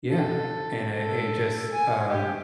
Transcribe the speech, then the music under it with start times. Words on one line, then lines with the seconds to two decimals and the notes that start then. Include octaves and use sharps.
Yeah, and it it just, um
0.10 A4
0.95 A4
1.73 G#5
2.09 G4